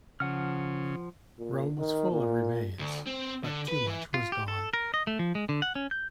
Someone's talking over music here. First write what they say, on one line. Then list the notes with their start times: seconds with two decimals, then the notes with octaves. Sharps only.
Rome was full of remains, but too much was gone.
0.20 C#3 F3 F#5 F6
1.39 A#2
1.78 D#3
2.12 A#2
2.79 D2
3.07 C4
3.44 D3
3.68 B4
3.87 E3
4.14 F4
4.32 G4
4.48 A4
4.74 A#4
4.94 D#5
5.07 A3
5.19 F3
5.35 G#3
5.49 D3
5.62 F#5
5.75 C#4
5.91 G6